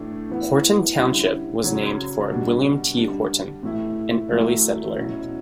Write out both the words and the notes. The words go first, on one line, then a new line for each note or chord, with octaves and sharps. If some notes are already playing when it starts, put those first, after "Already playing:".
Horton Township was named for William T. Horton, an early settler.
Already playing: A2 E3 A3 D4
E3 B3 E4
D3 G3 C#4 E4
C#3 F#3 C#4
B2 G3 D4
D3 G3 D4
A2 E3 A3 E4
F#3 A3 E4
B2 F#3 C#4 E4